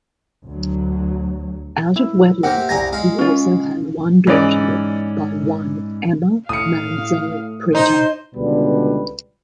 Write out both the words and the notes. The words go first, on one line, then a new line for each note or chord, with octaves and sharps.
Out of wedlock, he also had one daughter by one Ema Manso Preto.
D2 F#3
E4
C3 A#3 F#5
C2 G#5 A#5
G#3 F5
C#4 F4
G#2 E3 C#4 D5
A2 F5 D#6 C#7
D#4 C5
C#2 B2 D3 G3 B4